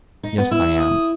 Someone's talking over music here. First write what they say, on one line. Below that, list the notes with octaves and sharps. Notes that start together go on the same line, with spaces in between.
"Yes, I am."
D#4
B3
E4 E6
D#6